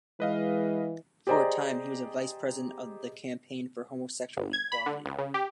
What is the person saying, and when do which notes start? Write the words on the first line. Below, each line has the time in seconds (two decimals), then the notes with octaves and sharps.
For a time, he was a vice-president of the Campaign for Homosexual Equality.
0.20 E3 G#3 B4 D#5 F5
1.27 G4 G#4 C5 D5 D#5 A#5
4.37 G1
4.53 G#6
4.72 B5
4.86 D3
5.05 C#2
5.18 C#3
5.34 G4